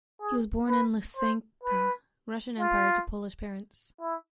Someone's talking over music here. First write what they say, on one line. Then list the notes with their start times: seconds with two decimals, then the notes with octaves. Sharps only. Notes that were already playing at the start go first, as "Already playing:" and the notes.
He was born in Lysianka, Russian Empire to Polish parents.
0.21 G#4
0.68 B4
1.16 C5
1.63 B4
2.58 F4
4.01 E4